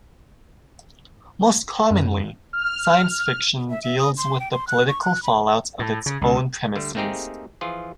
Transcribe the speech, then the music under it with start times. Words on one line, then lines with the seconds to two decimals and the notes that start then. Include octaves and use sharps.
Most commonly, science fiction deals with the political fallout of its own premises.
1.91 F#2
2.53 F6
3.70 E5
3.83 E5
3.99 D#6
4.18 C6
4.40 G5
4.52 C6
4.68 F#6
4.88 C#6
5.03 F#6
5.23 B5
5.79 A2
6.06 C#3
6.21 C#2
6.76 D3 G3 A3
6.95 A3 A#3 C4 D#4 G4 G#4
7.61 E3 F3 F4 G#4